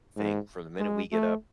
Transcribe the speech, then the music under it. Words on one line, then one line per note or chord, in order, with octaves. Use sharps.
thing., from the minute we get up
G#2
G#3
A3